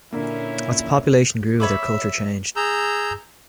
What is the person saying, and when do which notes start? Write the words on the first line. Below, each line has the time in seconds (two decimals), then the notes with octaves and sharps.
As the population grew, their culture changed.
0.13 A#2 D3 A#3 C#4 E4
1.60 C#5 E5 B5 D6
2.56 G#4 A#5 E6 G6